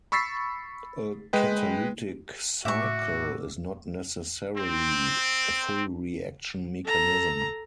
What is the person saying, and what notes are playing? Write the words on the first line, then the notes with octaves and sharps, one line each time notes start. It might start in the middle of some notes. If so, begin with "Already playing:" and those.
A catalytic cycle is not necessarily a full reaction mechanism.
B5 C#6 E6 A6 B6 C7
G#3 B4 D#5 G5
A2 F#4 E5 C#6 D6 E6
C4
A4 A#5